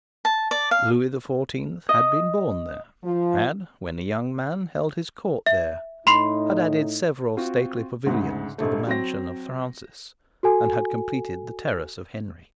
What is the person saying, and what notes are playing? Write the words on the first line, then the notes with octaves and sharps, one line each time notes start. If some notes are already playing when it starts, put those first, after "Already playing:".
Lewis the Fourteenth had been born there, had, when a young man, held his court there, had added several stately pavilions to the mansion of Francis, and had completed the terrace of Henry.
A5
D5
F5
D#5
F3
E5
A2 D#4 B5 C6 C7
C4 F4 F#4
D2 G#2 C#3
F1 A#1 A3
F#3 C4 A#6
F#4 A4 G#5